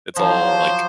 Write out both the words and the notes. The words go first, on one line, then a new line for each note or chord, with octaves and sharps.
It's all, like,
F3 F#3 C5